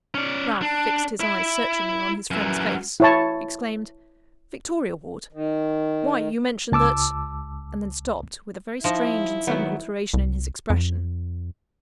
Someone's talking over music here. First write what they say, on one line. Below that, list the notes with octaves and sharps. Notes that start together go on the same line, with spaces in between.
Ralph fixed his eyes searchingly on his friend's face; exclaimed: "Victoria Ward! why you mentioned that--;" and then stopped, with a very strange and sudden alteration in his expression.
C#4 D5
D4
E4
F#2 E3
E4 C#5 A5
D#3
C#2 A5 D6 E6
F3 D#4 E4
D#3 F#3 B3
C2
F2